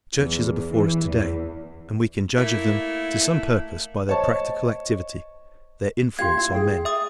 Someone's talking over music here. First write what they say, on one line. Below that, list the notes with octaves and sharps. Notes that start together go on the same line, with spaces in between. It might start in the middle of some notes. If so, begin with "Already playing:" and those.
The churches are before us to-day, and we can judge of them to some purpose by their practical activity, their influence on men.
E2
E3
E2
A3 A#3 E4
C5 C#5 D#5 A5 C#6
F4 G4 F5 G#6
E4
G#4 G5
E5 D#6